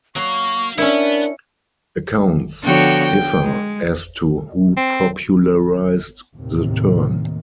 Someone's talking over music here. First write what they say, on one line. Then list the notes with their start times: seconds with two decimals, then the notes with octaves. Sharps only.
Accounts differ as to who popularized the term.
0.16 F#3 A#3 F5 C#6
0.78 B3 C#4 D4 E4 A#4
2.63 D3 F3 B3 F#4 C#5 G5
3.04 G5
3.38 G#3
4.77 C4
6.36 D#2 A2 C3 D#3